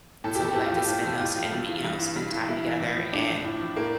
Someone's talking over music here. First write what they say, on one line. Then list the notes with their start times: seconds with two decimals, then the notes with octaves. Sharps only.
and so we like to spend those in, you know, spend time together and
0.24 A2 A4
0.35 G4
0.40 F3 A4
0.56 A2 G4
0.66 F4
0.72 F3 G4
0.88 A2
1.04 F3
1.20 A2 F4
1.36 F3
1.52 G2
1.68 E3
1.84 G2
2.00 E3
2.16 G2
2.32 E3
2.48 G2 E4
2.64 E3
2.80 A2
2.97 F3
3.13 A2 D4
3.28 F3
3.45 A2
3.61 F3
3.76 A2 A#3